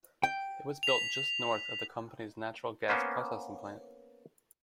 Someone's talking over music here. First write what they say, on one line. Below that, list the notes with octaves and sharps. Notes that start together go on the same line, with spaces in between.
It was built just north of the company's natural gas processing plant.
G5
B6 F7
A#3 B3 C#4 C5